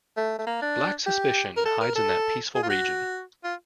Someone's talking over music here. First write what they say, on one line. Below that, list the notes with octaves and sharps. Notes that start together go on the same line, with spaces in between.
Black suspicion hides in that peaceful region.
A3
A3
A#3
D4
G4
A#4
A4
A#4
A4
G#4
F4
F#4
F4